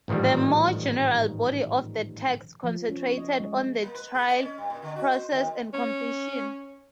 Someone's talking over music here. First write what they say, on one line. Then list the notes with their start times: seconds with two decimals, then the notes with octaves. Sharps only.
The more general body of the text concentrated on the trial process and completion.
0.08 A1 G#2 D#3 F3 G3
2.64 F3
2.89 C#4
3.18 D#5
3.40 G#3
3.82 A#3
3.95 B4
4.15 G#4
4.28 D5
4.43 C#4
4.58 G2
4.70 A#2
4.82 D3
4.96 F#4
5.11 C5
5.31 D#2
5.73 C#4